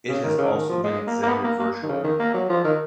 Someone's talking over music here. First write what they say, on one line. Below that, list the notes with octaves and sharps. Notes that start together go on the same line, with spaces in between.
It has also been exhibited virtually.
C#3
D#3
C#3
D#3
F3
G#3
A#3
A#3
B3
A#3
A#3
D#3
C#3
D#3
A#3
F#3
F3
D#3